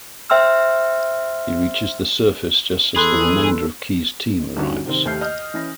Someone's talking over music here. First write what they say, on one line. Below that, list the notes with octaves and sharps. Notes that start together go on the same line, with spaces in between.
He reaches the surface just as the remainder of Keyes' team arrives.
C5 E5 G5 C6 E6 F6
E2 G#4 A4 B5 C6 F#6
G2 D3 C#4 D#4 F#4
C3 D#3 C4
D#2 A3 G4 F6 G6 C7
D#5 D#6 F6 G6
E3 C#4 A#6